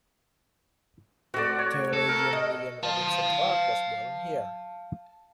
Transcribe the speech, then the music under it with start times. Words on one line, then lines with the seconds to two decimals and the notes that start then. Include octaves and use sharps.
Theologian William Robinson Clark was born here.
1.34 A3 C4 F#4 D5
1.59 C#5
1.93 A4
2.08 A#4
2.33 D#5
2.83 F5 A5